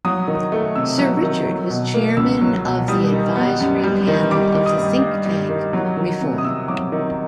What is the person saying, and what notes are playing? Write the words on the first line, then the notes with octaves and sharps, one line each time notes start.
Sir Richard was chairman of the Advisory Panel of the think-tank Reform.
F#3 D#6
D#3
A3
C3 E6
F#3
D#3
F#3
B2
A#3
C#2 E6
F#3
B2
G3 D#6
D#3
B3
F#2
G3
D#3
G3 D6
D#3
D#6
G2
G2
G3
D#3
F#3
D#3
C3
D#6
C3 E6
F#3 D6
D#3